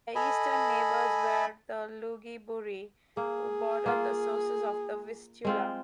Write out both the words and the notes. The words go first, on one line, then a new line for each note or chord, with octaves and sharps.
Their eastern neighbours were the Lugi Buri, who bordered the sources of the Vistula.
A4 D#5 G#5 B5
A#3 G#4
A#3 F4
G#3 C4 F4